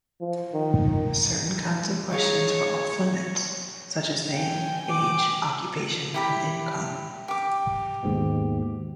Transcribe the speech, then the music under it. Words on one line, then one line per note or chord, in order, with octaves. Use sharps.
Certain kinds of questions were "off-limits", such as name, age, occupation, and income.
F3
D#3
D#4 G#4 C#5 F5
G5 G#5
D6
E4 G4 B5
G4 D6
D#2 G#2 B2